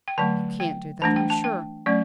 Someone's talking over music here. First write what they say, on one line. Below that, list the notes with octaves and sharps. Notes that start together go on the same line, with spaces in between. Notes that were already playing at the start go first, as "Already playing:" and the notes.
You can't do that, I'm sure.
G5
D3 F#3 A3 A5
G5
E3 A3 D4 A5
G5
A5
G5
F#3 A3 C#4 D5